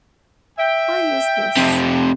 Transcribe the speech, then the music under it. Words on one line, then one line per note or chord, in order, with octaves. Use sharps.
Why is this?
E5 G5
F2 C3